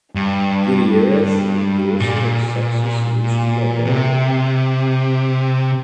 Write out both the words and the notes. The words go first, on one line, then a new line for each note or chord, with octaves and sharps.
Gutierrez is an endorser of Sexy Solution by Belo.
G2
A#2
C3